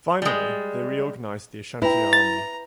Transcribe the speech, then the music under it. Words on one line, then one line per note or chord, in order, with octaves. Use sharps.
Finally, they reorganized the Ashanti army.
G3 G#3
E4 B4 G5 A#5
A6